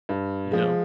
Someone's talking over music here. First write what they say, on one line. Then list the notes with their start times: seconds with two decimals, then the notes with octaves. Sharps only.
you know?
0.09 G2
0.51 F3 G#3